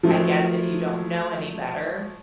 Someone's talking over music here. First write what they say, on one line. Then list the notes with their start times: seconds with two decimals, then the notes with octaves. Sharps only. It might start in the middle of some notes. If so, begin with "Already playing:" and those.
I guess if you don't know any better,
0.03 F3 F#3 A3